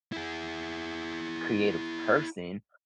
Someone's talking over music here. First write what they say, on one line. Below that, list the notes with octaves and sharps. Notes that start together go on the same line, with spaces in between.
creative person,
E4 G#4